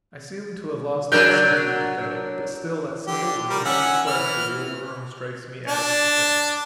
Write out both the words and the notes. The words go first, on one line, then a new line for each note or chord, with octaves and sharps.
I seem to have lost all sense of the pathetic; but still, that simple, enormous request of the old colonel strikes me as pathetic.
F#3 D4 A#4 G6
D3 G4
G3 A#4
C#4 E5 F#5
E3 F6
D4